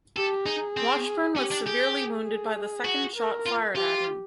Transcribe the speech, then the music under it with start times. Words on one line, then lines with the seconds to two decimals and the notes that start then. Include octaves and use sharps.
Washburn was severely wounded by the second shot fired at him.
0.17 G4 A4
0.46 D#4 G#4
0.77 C4
1.36 C#4 G4
1.51 D4
1.66 G4 G#4
2.26 G#4
2.85 F#4
3.16 A#4
3.46 F4
3.75 F4 G4